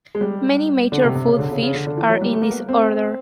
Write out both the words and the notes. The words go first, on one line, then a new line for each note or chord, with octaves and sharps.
Many major food fish are in this order.
G#3
G3
D3
C3
C3
C#3
D3
C#3
C#3
D3
D3
E3
F#3
G3
A3
A#3
B3
C4